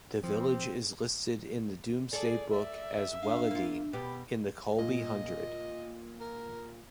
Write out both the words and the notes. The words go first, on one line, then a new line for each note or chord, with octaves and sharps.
The village is listed in the Doomsday Book as 'Weledene', in the Colby Hundred.
F3 C4
G#4 A4 D5
D5 E5
D4 F5
A#3 F4
B2 B3 G4
A#2 D#5
A#4